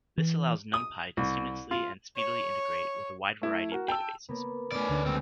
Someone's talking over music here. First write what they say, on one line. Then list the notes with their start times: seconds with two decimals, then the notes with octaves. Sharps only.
This allows NumPy to seamlessly and speedily integrate with a wide variety of databases.
0.18 E3
0.74 D#6
1.17 C2
1.71 F4
2.16 C#5
3.42 A3 E4
3.72 F#4 A#4
3.88 G5 A5 E6
4.29 A#3 B3
4.72 A3 B3 C#4 D5
4.89 D2
5.06 C#2 C4